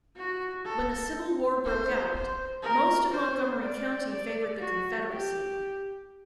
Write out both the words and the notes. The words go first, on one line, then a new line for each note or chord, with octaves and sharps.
When the Civil War broke out, most of Montgomery County favored the Confederacy.
F#4
A4
C5
C5
A#4
C5
D5
D5
F#4
G4